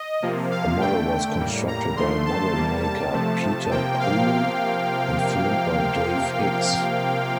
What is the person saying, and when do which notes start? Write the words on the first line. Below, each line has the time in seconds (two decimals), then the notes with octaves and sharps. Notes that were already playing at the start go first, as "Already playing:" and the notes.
The model was constructed by model-maker Peter Poole, and filmed by Dave Hicks.
Already playing: D#5
0.22 C3 F3 A#3
0.51 F5
0.80 D3 A3 G5
1.38 A2 G3 A#3
1.68 A#5
1.96 D3 F3 A3 C6
2.26 A5
2.54 C3 G3 A#3 A5
2.83 A5
3.13 C3 F3 A3
3.71 C3 F3 A#3 G5
4.00 F5